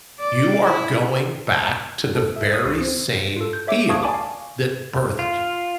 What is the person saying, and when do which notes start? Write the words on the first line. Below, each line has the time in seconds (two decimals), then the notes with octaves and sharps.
you are going back to the very same field that birthed you.
0.20 D5
0.66 E4
2.15 A4
2.36 E5
2.54 D#6
2.65 C#2
2.80 C4
3.37 F4 A4
3.53 G6
3.67 C#5 E5 D6
3.89 B4 F5 A5 C#6 D#6 G#6
4.03 D5 G#5 A5 B5 C#6 D6
4.14 F5
5.19 F4